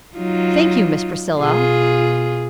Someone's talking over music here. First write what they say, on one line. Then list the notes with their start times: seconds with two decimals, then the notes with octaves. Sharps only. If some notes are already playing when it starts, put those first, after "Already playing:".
"Thank you, Miss Priscilla."
0.17 F#3 D#4 F4
1.39 B2 F4 G#4